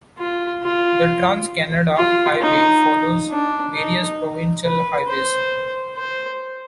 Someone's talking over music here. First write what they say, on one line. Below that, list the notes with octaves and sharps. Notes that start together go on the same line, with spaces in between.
The Trans-Canada Highway follows various provincial highways.
F4
F4
F4
D#4
D4
D#4
B4
C5
C5